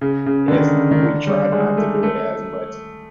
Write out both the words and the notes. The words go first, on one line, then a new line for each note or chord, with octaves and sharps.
is we tried not to do it as much
C#3
C#3
D3
D#3
C#3
D#3
D3
G3
G#3
A3
A3